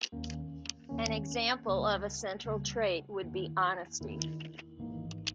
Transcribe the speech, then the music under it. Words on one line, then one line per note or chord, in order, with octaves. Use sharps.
An example of a central trait would be honesty.
D#2 D#3 A#3 C#4
D#2 D#3 A#3 C#4
C#2 C#3 G3 A#3
C#2 C#3 G3 A#3
E2 D#3 A#3 E4
E2 D#3 A#3 E4
G#1 G#2 E3 A#3 D#4